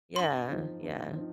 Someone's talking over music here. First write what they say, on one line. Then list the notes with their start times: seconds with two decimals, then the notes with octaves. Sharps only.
Yeah. Yeah.
0.16 G2 C6
0.48 F3 C4 D#4
0.80 G2
1.12 F3 C4 D#4